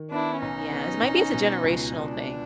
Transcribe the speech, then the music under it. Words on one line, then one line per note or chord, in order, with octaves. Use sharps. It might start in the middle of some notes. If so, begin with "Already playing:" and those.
yes, maybe it's a generational thing
Already playing: D#3
B3 D4 E4
B1 C#4 D#4
B3
B1
B2
C#2
C#2 D4